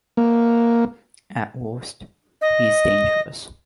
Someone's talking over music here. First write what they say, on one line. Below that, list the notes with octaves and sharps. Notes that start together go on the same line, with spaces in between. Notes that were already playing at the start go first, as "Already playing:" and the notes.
At worst, he's dangerous.
A#3
D#5